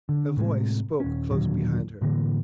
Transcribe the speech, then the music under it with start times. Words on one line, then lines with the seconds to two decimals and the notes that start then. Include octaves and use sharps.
A voice spoke close behind her.
0.09 D3
0.37 A2 C3 G#3
1.00 D#1 C#4
1.30 D#2 A#2 D3 F#3
2.01 A2 D3 E3 A#3